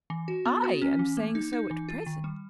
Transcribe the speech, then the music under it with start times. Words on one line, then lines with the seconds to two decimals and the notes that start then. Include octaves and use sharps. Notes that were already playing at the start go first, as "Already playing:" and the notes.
"I am saying so at present."
0.10 E3
0.28 F#4
0.45 B3
0.64 F#4
0.82 C#4
0.99 E3
1.17 A#3
1.35 D#4
1.53 D#4
1.71 E3
1.89 F4
2.06 D#3
2.24 G3